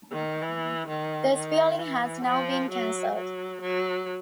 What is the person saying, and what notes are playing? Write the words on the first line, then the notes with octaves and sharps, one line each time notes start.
This building has now been cancelled.
D#3
E3
D#3
D#3
E3
F3
F#3
F#3
F#3